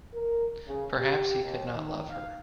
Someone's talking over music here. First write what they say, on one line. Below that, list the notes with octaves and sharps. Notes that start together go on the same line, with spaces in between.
Perhaps he could not love her.
A#4
C#3
G4
D#2
D#3
F5